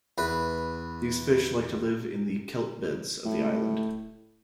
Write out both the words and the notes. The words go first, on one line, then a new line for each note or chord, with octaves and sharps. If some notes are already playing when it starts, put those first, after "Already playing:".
These fish like to live in the kelp beds of the island.
E2 B4
A2